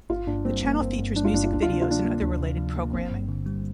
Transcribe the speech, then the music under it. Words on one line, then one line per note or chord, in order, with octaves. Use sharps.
The channel features music videos and other related programming.
G1 F4
G2 D4
G3 C4
G1 A#3
G1 C4
G2
G3 D4
F4
G1 D4
F4
D2 D4
F4
C3 D4
F4
F3 D4
A#3
D2 D4
C3
F3
A#3
G1 C4
G2
D3
G3